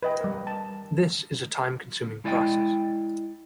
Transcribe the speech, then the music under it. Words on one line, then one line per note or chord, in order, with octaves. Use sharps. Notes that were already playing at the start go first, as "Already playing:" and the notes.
This is a time-consuming process.
B4 D#5 G5
G3 A#4
A5
G#3 E4 D5 D#5 F#5 G5